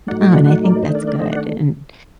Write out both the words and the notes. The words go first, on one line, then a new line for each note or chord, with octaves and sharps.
Oh, and I think that's good, and,
A2 F#3 A3 D#4 D5 F#5
D#5 G5
D5 F#5
D5 F#5
A#4 D5
D#3 A3 D4 C5 D#5
A#4 D5
A#4 D5
C5 D#5
D5 F#5